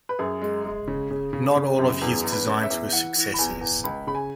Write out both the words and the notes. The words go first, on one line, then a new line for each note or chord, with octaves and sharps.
Not all of his designs were successes.
B4
F#2 G#4
G#3
G#3
C#3
C#3
C#3
C#3
F#2
E2 G#4
E2
B4
C#4
E5
E2
E3 F#5
E3
B5
E2 G#5
E2
C#2 B5
C#3 B5
G#5